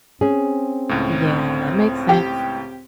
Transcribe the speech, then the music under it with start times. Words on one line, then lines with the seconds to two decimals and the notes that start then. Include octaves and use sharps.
Yeah, that makes sense.
0.21 C4 C#4 G#4
0.89 C#2 A2
2.09 G4